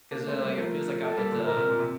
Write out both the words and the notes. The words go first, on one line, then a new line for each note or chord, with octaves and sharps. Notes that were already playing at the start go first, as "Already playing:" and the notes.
'cause, eh, like, it feels like, uh it's um
A#3 D4
A3 C4
G3 A#3
F3 A3 A#4
A4
G3 A#3
A#2 D3
A#2 A#4
C3
A#2
C3